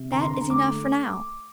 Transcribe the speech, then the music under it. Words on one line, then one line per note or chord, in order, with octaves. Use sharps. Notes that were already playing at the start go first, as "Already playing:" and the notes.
That is enough for now!
Already playing: C3
D3 A#5
C6
D3 A#5
A#5
A3 D6
A3